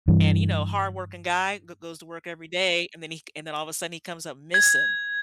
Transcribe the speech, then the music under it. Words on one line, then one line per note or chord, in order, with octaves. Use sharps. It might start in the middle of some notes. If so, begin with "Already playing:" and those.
And, you know, hardworking guy go goes to work every day and then he and then all of a sudden he comes up missing.
G2 E3
G#6